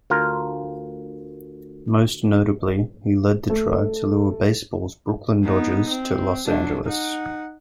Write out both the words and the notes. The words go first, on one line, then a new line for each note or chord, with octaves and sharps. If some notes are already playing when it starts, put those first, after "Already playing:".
Most notably, he led the drive to lure baseball's Brooklyn Dodgers to Los Angeles.
D2 F4 A#4
A3
B3 D#4
C4
F#3 D4
D#4 F#5